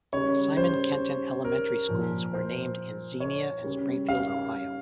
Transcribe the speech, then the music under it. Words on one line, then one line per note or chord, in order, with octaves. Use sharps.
Simon Kenton Elementary Schools were named in Xenia and Springfield, Ohio.
C#3 G3 C#5
C5
A#4
A#2 F3
C5
C#5
C#3 G3
F5